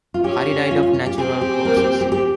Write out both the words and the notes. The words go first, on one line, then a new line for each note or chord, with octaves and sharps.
Curry died of natural causes.
F4
C#4 G4
F4
F4
F4
G4
C4 G#4
G4
A#3
G4
G4
G4